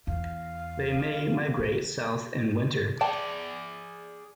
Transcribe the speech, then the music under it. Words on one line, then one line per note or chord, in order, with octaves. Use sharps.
They may migrate south in winter.
E2 F5
D#3
D3
G#4 D5 G5 A5